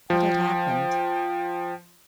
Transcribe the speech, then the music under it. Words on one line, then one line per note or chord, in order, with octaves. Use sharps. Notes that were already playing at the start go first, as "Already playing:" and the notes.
What had happened?
F3 G5